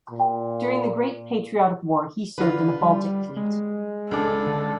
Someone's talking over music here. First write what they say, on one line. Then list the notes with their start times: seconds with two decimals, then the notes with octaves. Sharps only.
During the Great Patriotic War he served in the Baltic Fleet.
0.10 A#2
2.38 D3 F4 B4
2.81 G3
3.37 G#3
4.11 C#2 D4 A4
4.47 D3